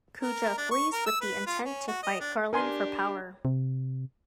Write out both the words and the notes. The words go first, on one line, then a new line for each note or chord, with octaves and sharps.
Kuja flees with the intent to fight Garland for power.
A#4
D4
C#6
A#4
E6
B4
F4
C#4
F#4
D#5
D4
D4 G4 A#4 G#5 C6
C3